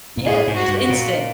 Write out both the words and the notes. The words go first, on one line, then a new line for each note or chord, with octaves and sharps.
Yeah, and it's instant.
A#2
A2 G#4
G#2
F#4
G2
F#4
A#2